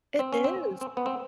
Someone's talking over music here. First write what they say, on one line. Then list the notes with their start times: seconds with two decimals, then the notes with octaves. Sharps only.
It is.
0.19 C4
0.33 C#4
0.44 C4
0.81 C4
0.97 B3
1.06 C4